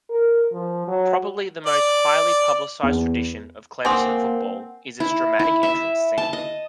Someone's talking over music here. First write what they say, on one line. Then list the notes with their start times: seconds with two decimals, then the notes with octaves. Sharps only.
Probably the most highly publicized tradition of Clemson football is its dramatic entrance scene.
0.10 A#4
0.52 F3
0.88 F#3
1.66 D5
2.83 E2
3.85 A#3 C4 F#5 G#5 C6 D6 D#6
5.00 E4
5.39 E4
5.63 E5
6.18 A5
6.33 D#5